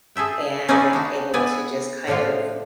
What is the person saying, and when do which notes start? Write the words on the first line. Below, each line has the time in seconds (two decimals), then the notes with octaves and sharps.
and I'm able to just kind of
0.16 G#4 A4 E5 G5
0.68 C#4 D#4 E4 G#4 B4 D5
0.93 D4 D#4 F#4
1.34 B3 D5 E5 G#5
2.07 A2 D3 F3 D4 F4